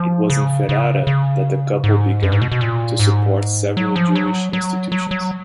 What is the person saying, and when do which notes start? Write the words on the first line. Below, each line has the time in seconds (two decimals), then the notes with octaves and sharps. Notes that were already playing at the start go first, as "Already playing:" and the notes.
It was in Ferrara that the couple began to support several Jewish institutions.
Already playing: F3
0.30 C#3
0.69 C#3
1.07 C#3
1.84 G#2
2.23 F#2
2.32 G#2
2.41 B2
2.52 B2
2.61 A#2
2.99 G#2
3.77 F#3
3.96 F3
4.15 F#3
4.53 F#3
4.92 F#3
5.11 F#3